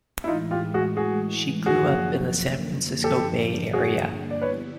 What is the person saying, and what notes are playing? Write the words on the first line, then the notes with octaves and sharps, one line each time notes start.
She grew up in the San Francisco Bay Area.
E4
A2 E3 G#3 D#4 F4
F4 G4
F#4 G#4
F#4 G#4
F#2 D3 F3 A#3 F#4 G#4
G2 D3 F3 A#3 D4 G4 A4
F#4 G#4
D5
D3 G3 B3 E4 G4 B4 C#5